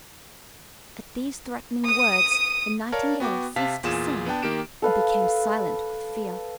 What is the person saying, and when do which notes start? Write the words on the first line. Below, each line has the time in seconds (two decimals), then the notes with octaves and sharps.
At these threatening words the Nightingale ceased to sing and became silent with fear.
1.85 D#6 D#7
2.92 A#4 C#5 D5 F5 A5
3.20 B3 F#4 G5 D6
3.56 C3 F5 A5 B6
3.83 E2 A#2 F4 G#4 E7
4.26 B3 D4 G5 A5
4.42 D#3 A#3 G4 D7 E7
4.82 A4 B4 F5